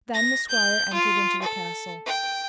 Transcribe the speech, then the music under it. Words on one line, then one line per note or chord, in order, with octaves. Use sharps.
Then the squire entered into the castle.
A#6
G6
F4
A4
G5